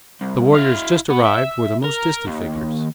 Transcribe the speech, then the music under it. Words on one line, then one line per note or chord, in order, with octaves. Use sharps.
The warriors just arrived were the most distant figures.
C2
E4 F5
B3
E5
A#4
D#2